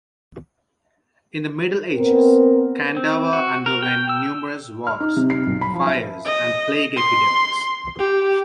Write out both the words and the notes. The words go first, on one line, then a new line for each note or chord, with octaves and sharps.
In the Middle Ages, Kandava underwent numerous wars, fires and plague epidemics.
B3 C4 A#4
C4
F#4
A#4
G5
E6
F6
D#4
C3
C7
B1
B5
F3
E5
D#5
C6
G4